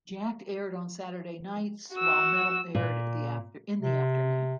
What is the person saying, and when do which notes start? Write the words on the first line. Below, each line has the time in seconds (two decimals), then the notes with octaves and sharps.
"Jakked" aired on Saturday nights while "Metal" aired in the afternoon.
1.93 F#4 E6
2.75 A#2
3.81 C3